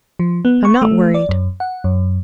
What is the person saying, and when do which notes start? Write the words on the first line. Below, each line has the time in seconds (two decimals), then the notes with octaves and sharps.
"I'm not worried."
0.19 F3
0.45 B3
0.65 C#6
0.82 A3
1.14 D5
1.29 F#2
1.60 F#5
1.84 F#2